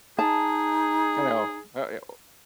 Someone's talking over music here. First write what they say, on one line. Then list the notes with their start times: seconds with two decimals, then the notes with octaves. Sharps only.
you know, uh yeah, well
0.19 D#4 G#4 A5